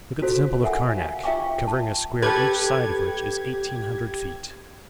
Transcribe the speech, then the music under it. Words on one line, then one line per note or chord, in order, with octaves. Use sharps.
Look at the Temple of Karnac, covering a square each side of which is eighteen hundred feet.
F4 F#4 A4 C5
A4 A#4 E5 F#5 G#5
F5 G#5
F4 E5 F5 G5 C#6 D6
A5
G4 A4 B4 G#6